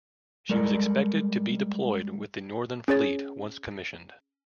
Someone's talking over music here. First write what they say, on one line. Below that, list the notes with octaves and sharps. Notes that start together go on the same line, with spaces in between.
She was expected to be deployed with the Northern Fleet once commissioned.
G3 G#3 A4 A#4 D5
C#4 G#4 C#5 A6